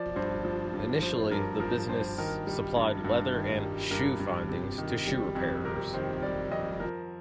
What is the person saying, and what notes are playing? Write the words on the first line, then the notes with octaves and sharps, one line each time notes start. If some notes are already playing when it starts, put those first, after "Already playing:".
Initially the business supplied leather and "shoe findings" to shoe repairers.
Already playing: F3 D5
G2 C5
F3
G2
F3 C5
G2 A#4
F3 A#4
G2 C5
D#3 A#4
G3
G2
G2
D#3
G3
G2 A#4
G2
C3
D#3
G3
F2
C3 A#4
D#3 C5
G3 D5
F2 D#5
F3 A#4